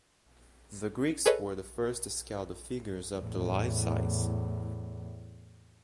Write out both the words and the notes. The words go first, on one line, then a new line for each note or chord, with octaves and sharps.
The Greeks were the first to scale the figures up to life size.
G#4 A4 B4 C#5 D#5
E2 A2